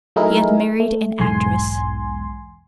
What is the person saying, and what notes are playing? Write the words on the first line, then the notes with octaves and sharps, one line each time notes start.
He had married an actress!
F#3 A3 D#4 E4 G#4 A#4
A3
B1 E2 G#2 G#5 C6